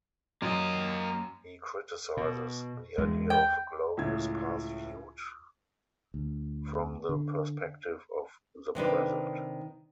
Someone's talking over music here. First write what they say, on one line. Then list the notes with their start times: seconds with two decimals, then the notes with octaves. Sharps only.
He criticizes the idea of a glorious past viewed from the perspective of the present.
0.42 F#2 A#3 D#5
2.17 B2
2.98 E2 G#3
3.30 G5
3.97 C#2 A2 G#6
6.14 D2
7.09 D3
8.75 C3 D#3 D4 B4